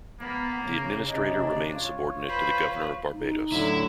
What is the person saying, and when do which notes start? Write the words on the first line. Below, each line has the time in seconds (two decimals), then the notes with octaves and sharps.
The administrator remained subordinate to the Governor of Barbados.
0.20 A#3 B3
0.65 C#3
1.07 D#2 C3 D4 D#4
1.73 F4 C#5
2.29 B4 C5
3.13 D#4
3.52 A2 D3 F#3 E4